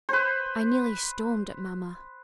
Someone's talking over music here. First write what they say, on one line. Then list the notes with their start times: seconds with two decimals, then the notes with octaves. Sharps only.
I nearly stormed at Mamma.
0.09 B4 C5